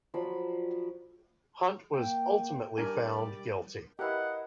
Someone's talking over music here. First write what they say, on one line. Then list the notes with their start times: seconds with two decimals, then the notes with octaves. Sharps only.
Hunt was ultimately found guilty.
0.14 F3 F#3 D5 B5
1.93 A#3 G5
2.78 G3 D4 G4 A#4 D5 G#5
3.99 E4 G4 A#4 B4 D#5 F5 F#5